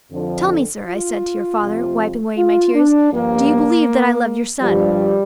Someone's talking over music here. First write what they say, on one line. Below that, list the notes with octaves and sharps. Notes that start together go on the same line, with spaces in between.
"Tell me, sir," I said to your father, wiping away my tears, "do you believe that I love your son?"
F2 D3 F3
F4
F2 C3 F3
F4
D4
G2 F3 A#3
G2 F3 G3